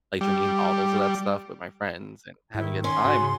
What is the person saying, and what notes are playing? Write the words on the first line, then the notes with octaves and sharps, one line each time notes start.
like drinking bottles of that stuff with my friends and having a good time,
G3
G#2 D#3 E4
C#4 C6
G#2 F#4
C#3